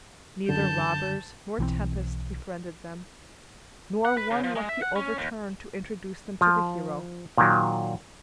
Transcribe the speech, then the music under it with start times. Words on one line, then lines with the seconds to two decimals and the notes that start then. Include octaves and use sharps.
Neither robbers nor tempests befriended them, nor one lucky overturn to introduce them to the hero.
0.49 F#2 D3 A5 G6
1.59 B1 E3 F#3 C4
4.05 F#5
4.17 B4
4.31 C#3
4.44 F3
4.56 G#3
4.69 E5
4.82 F#5
4.96 C#4
5.18 D#2
6.41 F3
7.37 A#2 D#3 F#3